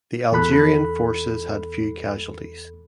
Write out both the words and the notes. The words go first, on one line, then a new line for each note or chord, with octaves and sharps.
The Algerian forces had few casualties.
E2 A4 B5 F#6